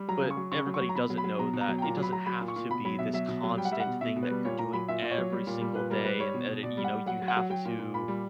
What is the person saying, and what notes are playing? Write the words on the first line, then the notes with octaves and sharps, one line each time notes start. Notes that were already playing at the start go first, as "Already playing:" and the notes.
but everybody doesn't know that it doesn't have to be this constant thing that you're doing every single day and and that it you know, you have to
Already playing: G3
F#3 A#5
C#3
C#6
F#3
C#3 C#6
F#3
C#6
F#3
A#5
B2 B5
F#3
B5
F#3
B2 A#5
B2
A#5
F#3
G5
A#2 A#5
F#3
B5
F#3 A#5
F#3 B5
A#2
C#6
A#2
B2 B5
F#3 B5
B2 E5
F#3 E5
B2
F#3
G3 G5
F#5
G3 E5
F#5
B2
B2 E5
B2
B4
G3
A#2 C#5
A#2 A#5
F#3 B5
A#2 E5
A#2
C#5
F#3
G3
A#2
G3
A#2 B4
G3 A#4
G3 B4
G3 C#5
B2
B2
B2 D5
G3
F#5
G3
F#3 F#5
F#3
F#5
F#3
F#3 G5
A#2
A#2
A#2 B5
G3